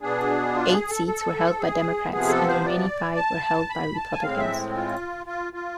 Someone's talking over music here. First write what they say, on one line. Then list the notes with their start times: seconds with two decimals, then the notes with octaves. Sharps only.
Eight seats were held by Democrats, and the remaining five were held by Republicans.
0.02 B2 B3 D4 G#4
0.55 F4
0.73 G#4
0.90 A4
1.07 A4
1.60 G#4
2.12 C3 F3 B3 G#4
2.29 A4
2.47 C5
2.64 D5
3.16 A5
3.70 B5
3.95 A5
4.12 G#5
4.22 A2 G#3 C4 F5
4.39 E5
4.75 F4
5.26 F4
5.53 F4